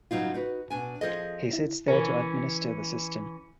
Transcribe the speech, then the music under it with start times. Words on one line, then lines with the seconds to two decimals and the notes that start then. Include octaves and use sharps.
He sits there to administer the system.
0.11 G2 C#3 F#3 D#4 F4
0.34 D#4 F#4 B4
0.70 B2 D4 G#5
1.01 F2 C#3 F3 G#4 A4 D#5
1.53 E4
1.88 B2 E3 C#4 A#4